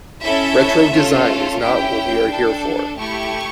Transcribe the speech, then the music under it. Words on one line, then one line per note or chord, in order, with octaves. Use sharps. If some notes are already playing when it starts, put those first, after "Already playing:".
Retro design is not what we are here for.
C#4 E4 A4 E5
A3 C#4 F4 A4
C#4 E4 G4 G5
D4 A4
A3 E4 G4 C#6